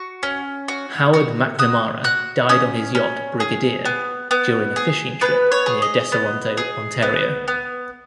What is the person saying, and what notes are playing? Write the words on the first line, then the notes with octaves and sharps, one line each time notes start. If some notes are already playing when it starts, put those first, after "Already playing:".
Howard McNamara died on his yacht "Brigadier" during a fishing trip near Deseronto, Ontario.
Already playing: F#4 C#6
C#4
F#4
F#4
F#4 D#6
F#4 F#6
C#4 D#6
C#4
G#4
B3
B3
G#4
B3 B4
C#5
G#4
D#5
B3
G#4
B3
B3